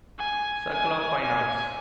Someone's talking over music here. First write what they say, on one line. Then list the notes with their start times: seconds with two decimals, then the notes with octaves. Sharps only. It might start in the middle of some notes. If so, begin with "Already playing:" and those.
Circle of Fine Arts.
0.19 G#5
0.72 G#5
1.23 G#5